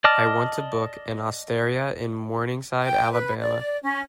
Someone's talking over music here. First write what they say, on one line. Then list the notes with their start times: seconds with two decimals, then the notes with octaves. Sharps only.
I want to book an osteria in Morningside Alabama.
0.04 D5 D#5 A5 D6 F6
2.81 G5
3.12 B4
3.40 D5
3.83 C#4